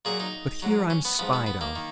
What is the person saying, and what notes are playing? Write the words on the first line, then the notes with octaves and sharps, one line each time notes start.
But here I'm spied on.
A#2 F#3 G#4
D#4
G#2 F#3
C#4
B3
G#2 F3 B3
B3
B3
A#3
D#3